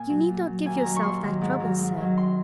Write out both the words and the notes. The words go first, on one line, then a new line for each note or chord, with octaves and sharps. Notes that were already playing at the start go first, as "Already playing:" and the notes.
"You need not give yourself that trouble, sir."
Already playing: A#2 G#5
F#3
A#2
F#3
D#2 G#5
A#5
D#3 F#3
C#6
D#2 C6
D#3 F#3
G#2
D#3 F#3
G#2
D#3 F#3
F#2 C6